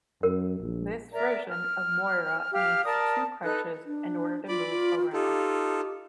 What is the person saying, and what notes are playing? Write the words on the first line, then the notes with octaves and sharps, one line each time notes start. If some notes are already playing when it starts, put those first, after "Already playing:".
This version of Moira needs two crutches in order to move around.
F#2 A#4
A#1
A#4 D5 E5 A#5
F6
G4 F5 F6
A#4 D5 A5 D#6
D#4 A4 B4 F#6
D4
F4 D5 B5 D6
F4
D#4 F4 G4 A4